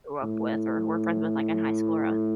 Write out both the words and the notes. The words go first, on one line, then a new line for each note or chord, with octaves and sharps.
grew up with or were friends with, like, in high school or, uh
A2